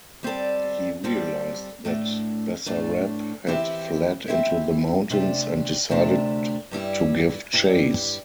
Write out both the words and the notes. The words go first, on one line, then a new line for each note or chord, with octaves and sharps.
He realised that Basarab had fled into the mountains and decided to give chase.
G3 C4 A4 D5
G3 C4 A4 D5
A2 A3 D4
A2 A3 D4
E3 C4 E4 G4 E5
E3 C4 E4 G4 E5
D2 C3 A3 D4 G4
D2 C3 A3 D4 G4
G2 G3 E4 G4
G2 G3 E4 G4